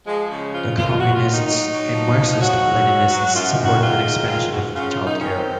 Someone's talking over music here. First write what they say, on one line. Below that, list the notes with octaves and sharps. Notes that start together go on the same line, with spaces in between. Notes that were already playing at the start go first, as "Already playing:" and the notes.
The Communists and Marxist-Leninists support an expansion of child care.
F3 G#3
C#3 G#3
F3 F4
A#2 F4
D#2 F#4
F4
D#2
D#4
F#3 D#4
F#3
F3
F3
F#3 F#4
G#2
F#3
F#3
F#2 F4
D#4
D#3
F#4
G#2 F4
D#3
G#2 F4
G#2 F#4
C#3 F4
F4
F#2
D#4
D#3 C#4
C4